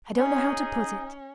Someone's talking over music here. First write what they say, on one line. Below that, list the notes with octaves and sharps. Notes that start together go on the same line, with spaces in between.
I don't know how to put it.
C#4 D#4 G#4
C#4